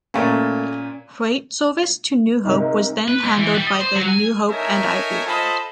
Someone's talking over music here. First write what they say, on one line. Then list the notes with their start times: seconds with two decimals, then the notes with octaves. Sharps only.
Freight service to New Hope was then handled by the New Hope and Ivyland.
0.14 A#2 A3 A#3 C#4
2.45 G#2 C3 D#4 A#4
3.08 B4
3.24 G#2
3.36 E3
3.54 G3
3.67 D#5
3.81 C5
3.95 F#3
4.08 G#5
4.50 D#4 A4 A#4 C#5 E5 G#5
5.27 F4 A4 C5 D#5 A5 B5